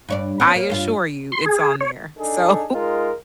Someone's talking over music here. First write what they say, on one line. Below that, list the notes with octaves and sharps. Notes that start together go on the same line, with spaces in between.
I assure you it's on there. So,
G2 C#5 D5
B3 C#4
A#3
G2 F4
C6
G#4
C#5
D4 D#4 G#4 A4
G#3 D#4 F4 A#4